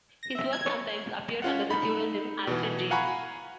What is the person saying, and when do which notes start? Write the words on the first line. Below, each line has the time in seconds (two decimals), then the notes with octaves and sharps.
His work sometimes appeared under the pseudonym Alfred James.
0.23 A#6
0.35 E5
0.53 G#6
0.66 C#5
1.42 C#4 F4 F#5
1.70 D#4 B5
2.47 B2 E3
2.91 F5 F#5 G#5 A#5 B5 C#6